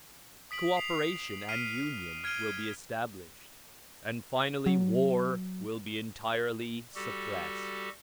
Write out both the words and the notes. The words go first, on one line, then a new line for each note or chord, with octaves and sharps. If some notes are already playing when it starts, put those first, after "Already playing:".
Cooperation and union will be established, and finally war will be entirely suppressed.
D#6 B6 D7 F#7
C7 F7
F6 B6 C7 D7 D#7
F6 G#6 C7 D7 D#7 G7
F#3
G3 F#4 G4 A4